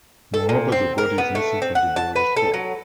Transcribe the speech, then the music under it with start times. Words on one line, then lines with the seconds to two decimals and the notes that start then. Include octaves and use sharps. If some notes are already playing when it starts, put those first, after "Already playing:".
Moreover, the body is missing from the burial spot.
0.34 A4
0.49 A#2
0.72 C4
0.98 A#4
1.18 B3
1.35 A3
1.62 C4
1.75 F#5
1.96 A5
2.16 B4
2.36 A4
2.54 F#3